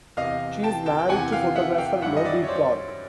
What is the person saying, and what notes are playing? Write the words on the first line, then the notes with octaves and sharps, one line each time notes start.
She is married to photographer Nobby Clark.
E2 C3 E3 D#5 F5
G5 A5
G5 A5
G5
E2 C3 E3 F#5 G#5
F5 G5
E5 F#5
F5 G5
F#2 D#3 G3 E5 F#5
D#5
D5 E5
C#5
C5 D5